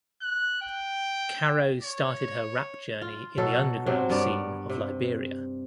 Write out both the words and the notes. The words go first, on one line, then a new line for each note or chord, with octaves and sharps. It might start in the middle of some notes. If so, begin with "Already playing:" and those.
Caro started her rap journey in the underground scene of Liberia.
F#6
G5
C#5
F4
B2 F#3 A4
C3 F#3 C4
G2 B3 A#4 D5
C3